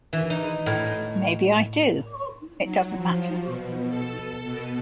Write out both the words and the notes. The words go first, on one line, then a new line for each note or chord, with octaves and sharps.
Maybe I do; it doesn't matter.
E3
D#4
A2
F#3
F3
B2
A4
B2